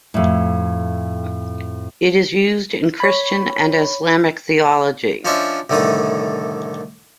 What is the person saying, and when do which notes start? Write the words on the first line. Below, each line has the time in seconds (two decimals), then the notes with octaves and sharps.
It is used in Christian and Islamic theology.
0.14 F2 A2
3.00 C#5 B5
5.25 F3 C#4 D4 C5 D#5 E5
5.70 C2 A2 D3 D#3 A3 D#6